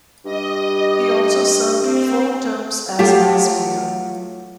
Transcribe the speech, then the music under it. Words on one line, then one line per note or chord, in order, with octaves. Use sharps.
He also served four terms as vice-mayor.
G2 D#5
C4
F#3 A3 F4 G4 G5 A5